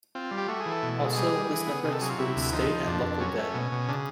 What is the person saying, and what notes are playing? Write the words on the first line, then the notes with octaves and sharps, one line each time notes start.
Also, this number excludes state and local debt.
C4 F4
G3
G4
A3 F#4
G#4
E3
A4
B2
G#3
A4
G3 G#4
G3
E3
B3
C3 G#4
A4
F#3 G#4
F4
C3 E4
D2
F3 D#4
F3
F2 D4
F2
F#3 C#4
A3
B2
B2
C#3 D4